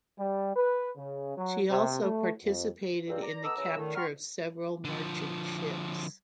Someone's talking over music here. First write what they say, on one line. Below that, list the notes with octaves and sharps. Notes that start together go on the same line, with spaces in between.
She also participated in the capture of several merchant ships.
G3
B4
C#3
F#3
C3
A3
F2
C#2 G2 C4
D5 A#5
B3 A4 D#5 A#5 D6 E6
C#3 E3 A#5 E6
A2 D3 D#3
F#5 G5 A#5 C6 C#6 F6
D3 F3